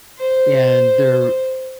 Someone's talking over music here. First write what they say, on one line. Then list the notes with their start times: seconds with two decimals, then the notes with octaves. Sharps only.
and they're
0.19 C5